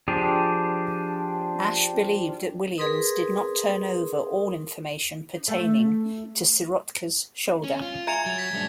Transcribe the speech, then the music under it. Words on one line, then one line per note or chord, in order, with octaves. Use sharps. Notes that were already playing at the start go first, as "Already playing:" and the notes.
Ash believed that Williams did not turn over all information pertaining to Sirotka's shoulder.
F3 D4 G4 G#4
G#4 A#4 B4 C6 D#6
A3
C#4
F4
E5 G#5 A#5 G#6 C#7 F7
F#3 A6 F7
G#6 A#6 B6
G3 A3 D4